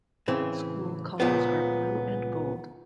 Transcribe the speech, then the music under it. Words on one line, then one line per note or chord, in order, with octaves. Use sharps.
School colors are blue and gold.
A2 C#3 E3 C4
C#2 A#2 F3 G#3 B3